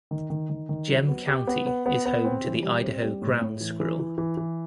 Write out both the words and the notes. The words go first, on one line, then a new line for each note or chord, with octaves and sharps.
Gem County is home to the Idaho ground squirrel.
D#3
D#3
D#3
D#3
F#3
B3
G4
B3
B3
B3
B3
C4
E3
G3
C4
G3
A2
A2
E3
E3
E3
E3
E3